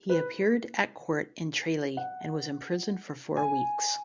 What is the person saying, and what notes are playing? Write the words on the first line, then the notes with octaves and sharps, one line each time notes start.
He appeared at court in Tralee and was imprisoned for four weeks.
B4
F#5
G#5